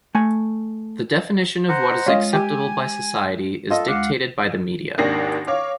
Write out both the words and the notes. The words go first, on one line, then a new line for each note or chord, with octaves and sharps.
The definition of what is acceptable by society is dictated by the media.
A3 G#5
C5 F#5 A#5
G#3 C#4 F4 D#5
G4 G#5
F4 A4 D#5
D2 G#3 F5 F#5 D6
G#1 D#2 D#3 D4 A#6 C7
C#5 F5 D6